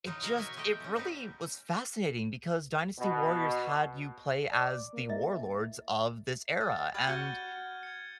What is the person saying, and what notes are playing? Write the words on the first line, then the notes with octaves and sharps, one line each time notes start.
it just it really was fascinating because Dynasty Warriors had you play as the warlords of this era, and
E3 F#3 G#3 D#4 F4
B2 F#4 A#4 C#5 D#5 F#5
F#3 C#5 E5 G#5
G#3 A3 G4 D#5 G5
B3 C#4
D#4 F#4 G4 B4
B2
D5
A#3
E4 D#5 E5
D#5 A6
B4 D5 G5 F6 G#6 D#7
F#4 F#5 G6 G7
G#6 C#7